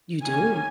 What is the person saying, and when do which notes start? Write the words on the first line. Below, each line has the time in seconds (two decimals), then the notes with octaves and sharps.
You do.
0.22 D#3 A#3 C#4 G#5